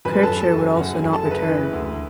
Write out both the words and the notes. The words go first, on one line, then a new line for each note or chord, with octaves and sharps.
Kircher would also not return.
F#2 B4 B5
A4 A5
F#2
A4 A5
F#1
G#5
F#2 F#5
G#5
F#1
A4 A5
F#1
B4 B5
E3
D2